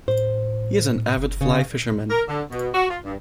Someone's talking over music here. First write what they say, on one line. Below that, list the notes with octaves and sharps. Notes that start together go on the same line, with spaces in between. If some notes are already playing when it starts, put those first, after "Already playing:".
He is an avid fly fisherman.
A2 C5
F#1
C#3
A#4
D3
B2
F#4
F4
G2